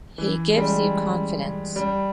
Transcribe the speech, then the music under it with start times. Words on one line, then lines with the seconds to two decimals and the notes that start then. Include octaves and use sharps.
He gives you confidence.
0.18 E3
0.50 G#3
0.57 G3
1.76 G3